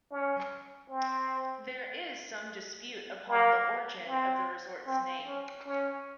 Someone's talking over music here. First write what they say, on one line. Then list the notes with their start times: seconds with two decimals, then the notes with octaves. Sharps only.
There is some dispute upon the origin of the resort's name.
0.11 C#4
0.90 C4
3.29 A#3
4.08 C4
4.87 C4
5.27 C#4
5.66 C#4